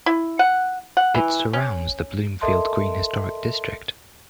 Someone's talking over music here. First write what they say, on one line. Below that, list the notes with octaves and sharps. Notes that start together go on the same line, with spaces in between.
It surrounds the Bloomfield Green Historic District.
E4
F#5
F#5
E3
C#4
A4 A#4 D#5 E5 A5 C6